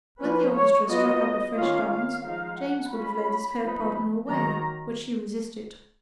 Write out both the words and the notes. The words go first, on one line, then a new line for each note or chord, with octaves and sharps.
When the orchestra struck up a fresh dance, James would have led his fair partner away, but she resisted.
F3 A#3 C#4 F4 B4
C#5
F#3 B3 F4 D#5
D#3 A#3 C#4 F4 F5
F5
F3 G#3 D#4 F5
F#5
G#3 C#4 F4 B5
F3 B3 D#4
D#3 F#3 A#3 A#5